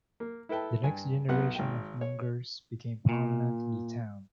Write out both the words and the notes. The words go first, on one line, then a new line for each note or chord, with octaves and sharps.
The next generation of Mungers became prominent in the town.
A#3
E4 A4 B4 G5 A5
G2 G#5
B1 B3 F#5 F#6
G#1 G5
C#5
A#2